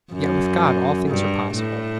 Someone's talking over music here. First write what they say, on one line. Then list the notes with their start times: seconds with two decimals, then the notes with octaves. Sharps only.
Yet with God all things are possible.
0.12 F#2
1.07 G2
1.55 A2